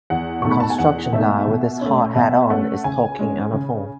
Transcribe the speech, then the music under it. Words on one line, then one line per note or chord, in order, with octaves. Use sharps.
A construction guy with his hard hat on is talking on the phone.
E2 F#5
B2 A3 D#4 C#6
B5
A5
G#5
E2 F#5
B2 A3 D#4 E5
B2
A3 C#4
B2 E5
A3 C#4 F#5
C#3 G#5
G#3 C#4
C#3